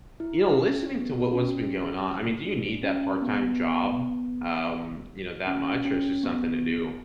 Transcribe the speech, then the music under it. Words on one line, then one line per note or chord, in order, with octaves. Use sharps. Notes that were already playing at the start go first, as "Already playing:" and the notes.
you know, listening to what what's been going on I mean, do you need that part-time job, um, you know, that much, or it's just something to do?
E4
C#4
B3
C#4
D4
C#4
B3
C#4
C#4
B3